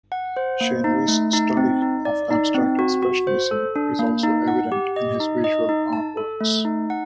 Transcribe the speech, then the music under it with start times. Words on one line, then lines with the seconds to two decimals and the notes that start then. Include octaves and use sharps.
Shen Wei's study of abstract expressionism is also evident in his visual artworks.
0.12 F#5
0.37 C5
0.61 A#3
0.84 D#4
1.08 A3
1.33 D#4
1.57 C4
1.82 D#4
2.05 D5
2.30 D#4
2.54 C4
2.79 F#4
3.03 F#4
3.27 C5
3.51 A4
3.76 D4
3.99 A#3
4.23 D#4
4.48 F#5
4.72 G4
4.96 D#5
5.20 D#4
5.44 D#5
5.69 D#4
5.93 A5
6.17 A4
6.41 A3
6.65 D#4
6.90 F#5